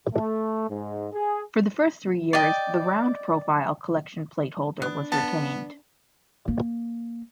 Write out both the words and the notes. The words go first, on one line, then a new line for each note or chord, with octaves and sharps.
For the first three years the round-profile Collection Plate holder was retained.
A3
G#2
G#4
D5 D#5 G5
B3 D4
B3 A5
A#3